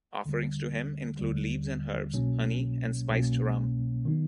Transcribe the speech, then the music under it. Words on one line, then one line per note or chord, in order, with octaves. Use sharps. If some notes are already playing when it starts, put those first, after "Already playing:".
Offerings to him include leaves and herbs, honey, and spiced rum.
D#2 D3 G3
D#2 D3 G3
C2 B2 F#3 A#3 C#4
C2 B2 F#3 A#3 C#4
D#3 F#3 B3 D#4